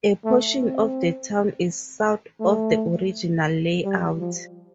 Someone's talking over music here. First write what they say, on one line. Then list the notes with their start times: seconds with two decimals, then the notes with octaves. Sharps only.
A portion of the town is south of the original layout.
0.25 A3
0.61 C4
2.40 A3
3.84 G3
4.19 F3